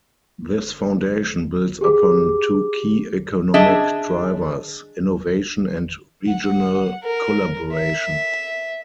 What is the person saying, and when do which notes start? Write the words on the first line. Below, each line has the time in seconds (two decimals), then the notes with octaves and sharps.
This foundation builds upon two key economic drivers - innovation and regional collaboration.
1.81 G4 G#4 D6
3.54 D4 G#4 D#5 E5
6.27 F#5
7.04 A#4
7.73 E5